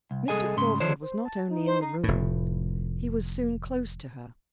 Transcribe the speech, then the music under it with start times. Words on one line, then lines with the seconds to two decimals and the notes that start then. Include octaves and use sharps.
Mr. Crawford was not only in the room--he was soon close to her.
0.11 C2
0.28 C2 D3 G#4 A4 D#5 G#5
0.57 G#2 C#3 C6
0.80 D3 D#3 F3 D4 C5 C#5
1.02 C5
1.25 A5
1.50 D#4
1.66 C5
1.81 D#4 C7
2.04 F1 A2